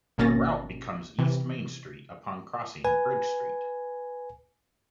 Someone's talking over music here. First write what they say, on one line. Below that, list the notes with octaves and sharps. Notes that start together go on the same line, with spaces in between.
The route becomes East Main Street upon crossing Bridge Street.
G#1 B2 A#3 C#4 A6 A#6
C3 E3
B4 G#5